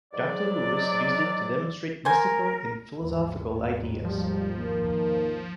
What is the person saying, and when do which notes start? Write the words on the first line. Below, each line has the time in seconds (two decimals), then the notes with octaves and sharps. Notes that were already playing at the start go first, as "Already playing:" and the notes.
Doctor Lewis used it to demonstrate mystical and philosophical ideas.
0.12 G#2 F#3 D5
2.05 A#4 C5 G#5
3.01 G#1 D#2
4.05 F3 G3
4.56 D#3 A#3